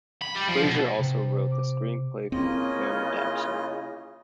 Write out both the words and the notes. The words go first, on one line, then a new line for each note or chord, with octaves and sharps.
Fraser also wrote the screenplay for the film adaptation.
B5
G3
F3
B2
C3
D6
C#3 A#3 C4 E4 F4 D#5